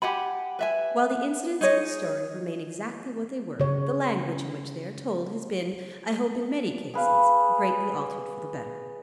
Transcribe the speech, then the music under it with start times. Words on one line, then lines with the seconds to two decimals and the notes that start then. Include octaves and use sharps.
While the incidents of the story remain exactly what they were, the language in which they are told has been, I hope, in many cases greatly altered for the better.
0.02 G4 F#5 G#5 B5
0.59 B4 E5 G#5
1.61 D#4 G#4 C#5 D#5
3.60 C#3 C#5
6.94 G#4 B4 F5